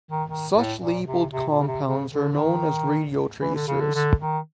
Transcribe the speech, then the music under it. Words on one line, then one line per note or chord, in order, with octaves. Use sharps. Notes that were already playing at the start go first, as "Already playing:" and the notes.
Such labelled compounds are known as radiotracers.
D#3
D#3
A2
A#2
C3
C3
A#2
C#3
C3
C#3
D3
D3
D#3
E3
D3
C#3
D3
D3
D#3